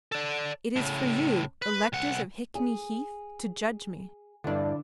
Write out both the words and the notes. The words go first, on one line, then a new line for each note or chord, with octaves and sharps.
"It is for you, electors of Hickney Heath, to judge me."
A4 D5
A2 C#3
B4
C2 F#5
G#4
E2 G2 D3 D4